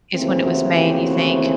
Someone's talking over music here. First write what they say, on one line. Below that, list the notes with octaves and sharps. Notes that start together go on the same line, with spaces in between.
i is when it was made, you think?
D#2 C#3 E3 A3 C4
E4 F#4
F4 G4
E4 F#4